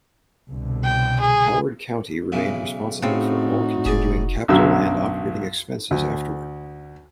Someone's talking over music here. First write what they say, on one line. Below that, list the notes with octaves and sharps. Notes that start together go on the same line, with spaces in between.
Howard County remained responsible for all continuing capitol and operating expenses afterward.
C2 B2 D3
G5
G#4
B1 C#3 E3
A2 C#3 C4 D#4 F#4
F1 G#4 D5
B1 F#2 D3 E6
D2